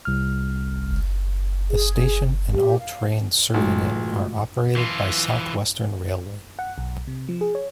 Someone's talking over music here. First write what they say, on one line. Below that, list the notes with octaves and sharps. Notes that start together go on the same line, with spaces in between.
The station and all trains serving it are operated by South Western Railway.
C2 F6
G#4
G4
F5
F#1 B1 A2 E3 G#3 A3 F4 F#4
E3 F4
F#5
B1
C3
F3
G#4
C#5